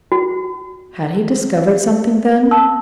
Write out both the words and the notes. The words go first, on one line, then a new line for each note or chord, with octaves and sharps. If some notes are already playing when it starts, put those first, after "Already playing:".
Had he discovered something then?
F#4
A5 E6